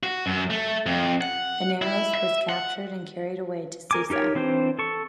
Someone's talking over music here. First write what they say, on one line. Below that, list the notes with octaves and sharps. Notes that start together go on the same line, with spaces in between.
Inaros was captured and carried away to Susa.
F#4
F#2
A3
F2
F#5
E4
E5
F#5
A#4 G#5 D6
D#4 G4 A#4 C#5
E3 C4 D4 C5
A4 C#6